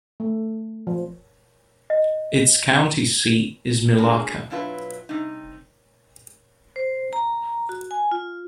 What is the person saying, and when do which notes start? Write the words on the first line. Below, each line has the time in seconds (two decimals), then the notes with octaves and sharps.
Its county seat is Milaca.
0.20 A3
0.87 F3
1.90 D#5
3.98 G#3 A#3 C#4 D4 F#4 G#4
4.50 B2 F#3 E4 F4 A4 B4
5.09 C3 G3 D#4
6.76 C5
7.13 A#5
7.69 F#4
7.91 G#5
8.11 F4